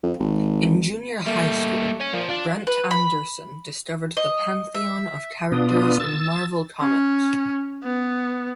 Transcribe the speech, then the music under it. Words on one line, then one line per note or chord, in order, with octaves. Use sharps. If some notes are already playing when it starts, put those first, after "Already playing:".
In junior high school, Brent Anderson discovered the pantheon of characters in Marvel Comics.
F2
G#1
G3 A3 A#3
C#5 G#5
A#2 F3
D4 F4 D5
B4
B5
D#5
E5
B2 B3 D4 F4 D#6
E6 A6
C#4
B3